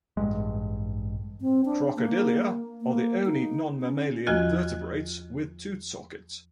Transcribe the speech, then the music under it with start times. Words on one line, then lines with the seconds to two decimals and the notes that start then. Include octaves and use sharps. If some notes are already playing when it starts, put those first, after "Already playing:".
Crocodilia are the only non-mammalian vertebrates with tooth sockets.
0.17 A1 G2 G#3
1.41 C4
1.65 D4
1.96 A#3
2.81 A#3
3.26 D#4
3.82 C#4
4.27 E2 F3 F4 F#4 D#5 G#6